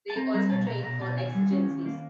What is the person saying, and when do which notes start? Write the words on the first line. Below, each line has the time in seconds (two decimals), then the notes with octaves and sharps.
They also train for exigencies.
0.10 A5
0.16 C4 A#5
0.34 G3 A#5
0.50 B2 A5
0.67 B2 A#5
0.83 B2 A#5
1.01 B2 A5
1.17 D#3 G#5
1.34 G3
1.51 C#4
1.68 D#3
1.85 A#3